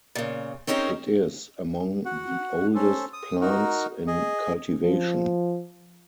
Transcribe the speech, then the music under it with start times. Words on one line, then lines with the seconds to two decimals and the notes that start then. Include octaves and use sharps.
It is among the oldest plants in cultivation.
0.15 A#2 C#3
0.67 C4 C#4 D#4 G#4 A#4
2.05 F#4 F#5
2.75 C#4 A4 C5
3.13 D#6
3.41 D#4 F#4 A#4
4.07 G#4 D#5
4.82 F3